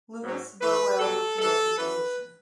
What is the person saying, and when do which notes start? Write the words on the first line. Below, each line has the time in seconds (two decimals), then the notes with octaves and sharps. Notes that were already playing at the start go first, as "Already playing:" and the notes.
Lewis Burwell refused the position.
0.22 G#2 F#3
0.60 G#2 E3 B4
0.99 B2 F#3 A4
1.39 G#2 E3 A4
1.78 F#2 E3 B4